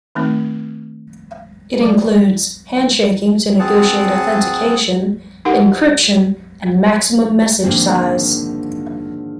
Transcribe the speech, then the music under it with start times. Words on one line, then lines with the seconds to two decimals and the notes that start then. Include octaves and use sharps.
It includes handshaking to negotiate authentication, encryption and maximum message size.
0.15 D#3 A3 C4 D#4
1.81 F#3 G#3 D5
3.59 C4 G#4 F#5 A5
5.45 D#4 G4 A#4 F#5
7.64 G#2 D3 D#3 F3 A#3 C4